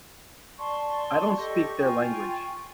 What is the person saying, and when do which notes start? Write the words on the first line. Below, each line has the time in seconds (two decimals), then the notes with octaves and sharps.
I don't speak their language.
0.58 D5 A5 C6 C#6
1.38 G4 A4 D#5
1.80 F4 G5 G#5